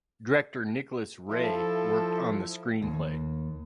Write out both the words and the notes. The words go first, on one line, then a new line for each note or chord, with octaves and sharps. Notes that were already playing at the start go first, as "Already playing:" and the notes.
Director Nicholas Ray worked on the screenplay.
F3 E4 A4
D#2